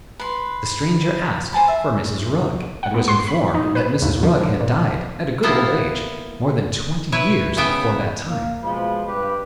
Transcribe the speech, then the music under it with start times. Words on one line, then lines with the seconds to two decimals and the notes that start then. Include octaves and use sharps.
The stranger asked for Mrs. Rugg, and was informed that Mrs. Rugg had died, at a good old age, more than twenty years before that time.
0.20 B4 C6
1.53 C5 G#5 A5 B5
1.68 E5
2.83 F#5
2.94 B3
3.08 C6
3.27 B5
3.54 D#4
3.75 B4
4.02 D#2
4.23 F3
4.41 D3
4.61 A#2
5.43 A#3 B3 E4 A4 F5
7.12 E4 B4 C#5
7.57 C#3 B3 E5 G5
8.29 A#3
8.62 B2 F3 G#3 B5
9.05 G2 G4 B4